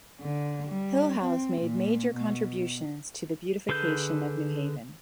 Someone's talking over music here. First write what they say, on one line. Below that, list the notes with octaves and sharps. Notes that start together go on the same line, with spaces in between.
Hillhouse made major contributions to the beautification of New Haven.
D3
G3
C4
A#2
B2
D3 G#4 A4 B4 G6